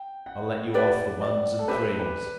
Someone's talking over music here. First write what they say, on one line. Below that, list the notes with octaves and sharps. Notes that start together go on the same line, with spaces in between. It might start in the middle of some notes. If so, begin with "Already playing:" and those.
I'll let you off the ones and threes.
Already playing: G5
F#5
G4 B4 D5 F#5
D5
A4
G4 B4 C5 E5
B4